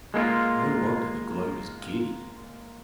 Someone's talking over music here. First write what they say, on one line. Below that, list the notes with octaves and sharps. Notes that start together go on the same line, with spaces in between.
No wonder the globe is giddy!
G#3 A#3 E4 F4